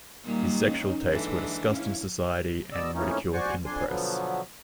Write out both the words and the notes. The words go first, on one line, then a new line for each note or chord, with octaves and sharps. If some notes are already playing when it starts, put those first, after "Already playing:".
His sexual tastes were discussed in society and ridiculed in the press.
A#2 D#3 G3 A#3
C#4 D#4
G#2 E3 D4 A4 E5
C#4 E4 F5
B2 D5 D#5 E6
F2 A2 E3 A#3 C#4 D#4
F#4 C5 D5 G#5 C#6
F2 D4 G#5 C6
B2 D3 F3 F#3 B3